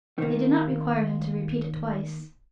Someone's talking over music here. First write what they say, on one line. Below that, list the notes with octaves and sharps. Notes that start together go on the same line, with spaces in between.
They did not require him to repeat it twice.
D#3 A#3